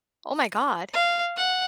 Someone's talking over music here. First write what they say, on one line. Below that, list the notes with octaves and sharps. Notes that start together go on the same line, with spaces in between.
Oh, my god.
F5
F#5